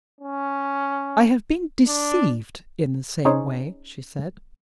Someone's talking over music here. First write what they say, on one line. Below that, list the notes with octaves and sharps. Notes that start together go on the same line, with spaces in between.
"I have been deceived in the same way," she said.
C#4
D4
C#4 D#4 G#4 C5 C#5